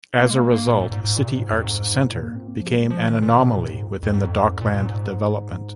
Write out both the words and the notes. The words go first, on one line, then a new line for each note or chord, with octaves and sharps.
As a result, City Arts Centre became an anomaly within the dockland development.
A#3
G#3
A#3
A#3
A#2
G#2
G#2
G#2
A#2
C3
G#2
F2
G#2
A#2
A#3
C4
A#3
F3
G#3
F3
D#3
A#2
C3
A#2
F2
G#2
F2
G#2
F2
G#2
A#2
A#2
G#2